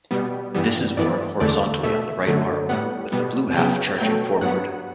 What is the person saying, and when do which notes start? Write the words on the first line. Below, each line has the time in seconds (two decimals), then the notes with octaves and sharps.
This is worn horizontally on the right arm with the blue half charging forward.
0.11 B2 G3 B3
0.55 G2 E3 G3 B3
0.97 G2 E3 B3 D5
1.40 E2 D3 A3 D5
1.83 B2 A3 E5
2.26 F#2 D3 F#3 A3
2.69 A2 G3 B3 F#5
3.12 B2 G3 B3
3.56 C#3 F#3 B3 G5
3.98 B2 F#3 A3 G5
4.41 G2 F#3 B3 F#5